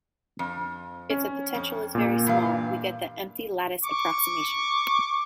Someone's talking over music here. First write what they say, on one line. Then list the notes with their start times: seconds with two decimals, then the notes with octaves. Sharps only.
If the potential is very small we get the Empty Lattice Approximation.
0.39 F2
1.10 C#4
1.54 F2
1.95 A#2 A#3
2.27 G2 E3 F5
3.85 C#6 D6